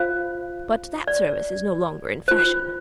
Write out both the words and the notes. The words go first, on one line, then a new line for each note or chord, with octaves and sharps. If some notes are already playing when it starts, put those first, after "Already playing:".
But that service is no longer in fashion.
Already playing: F4 C5 F5
D5
F4 C5